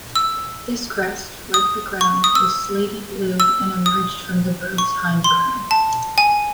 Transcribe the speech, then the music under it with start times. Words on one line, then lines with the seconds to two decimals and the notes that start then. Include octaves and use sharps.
This crest, like the crown, was slaty-blue and emerged from the bird's hindcrown.
0.16 E6
1.54 D#6
2.01 C#6
2.24 D#6
2.35 E6
3.40 E6
3.86 D#6
4.78 C#6
5.24 C6
5.71 A5
6.18 G#5